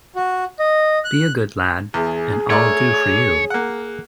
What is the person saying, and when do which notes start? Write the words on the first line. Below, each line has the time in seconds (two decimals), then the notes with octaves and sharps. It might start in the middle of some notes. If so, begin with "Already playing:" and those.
Be a good lad; and I’ll do for you.
0.16 F#4
0.59 D#5
1.04 F#6
1.94 E2 G#4
2.50 A3 A#4 C#5 D5
3.50 A#3 F#5